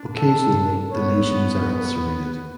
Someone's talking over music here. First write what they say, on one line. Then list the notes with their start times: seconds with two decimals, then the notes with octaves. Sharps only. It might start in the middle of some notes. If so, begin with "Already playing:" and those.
Occasionally the lesions are ulcerated.
Already playing: D4
0.15 A4
0.92 B3 C#5
1.69 B4